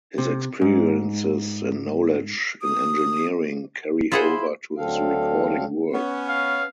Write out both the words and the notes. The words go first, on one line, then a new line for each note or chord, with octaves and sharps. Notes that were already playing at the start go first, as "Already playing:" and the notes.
His experiences and knowledge in engineering carry over to his recording work.
C3
G#2
D#6
E4 F4 G#4 C5 F#5 B5
D2 D3 F#3 C4 A4 F5
B3 C#4
F5